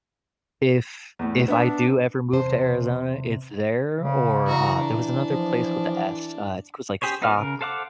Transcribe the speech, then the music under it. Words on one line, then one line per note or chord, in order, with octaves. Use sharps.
If if I do ever move to Arizona, it's there or, uh, there was another place with a S, uh, it was, like, Stock
E2 A2
B3 D4 E5
E2 C3 C5 A5
C#3
E3 F#4 A#5
D4
F3
C#4 G4 G#4 C5 C#5
B3 D#4 F4 B4 F6
C#3 A#4
A4 C5 F5 F#5 D6